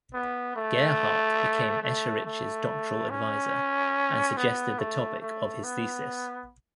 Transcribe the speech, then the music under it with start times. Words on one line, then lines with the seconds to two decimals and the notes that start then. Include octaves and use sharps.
Gerhardt became Escherich's doctoral advisor and suggested the topic of his thesis.
0.13 B3
0.56 A3
1.83 A3
2.25 A3
3.10 C#4
4.37 B3
4.79 A3
5.21 A3
5.64 B3